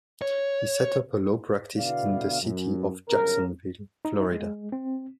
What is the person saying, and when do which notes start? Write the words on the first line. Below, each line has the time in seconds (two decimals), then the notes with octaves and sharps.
He set up a law practice in the city of Jacksonville, Florida.
0.22 C#5
1.78 B2 D3 B3 E4 D5 F5
2.42 F#2
3.09 G1 F#2 C#3 C#4 A#4
4.05 D#4
4.33 G#3
4.72 C4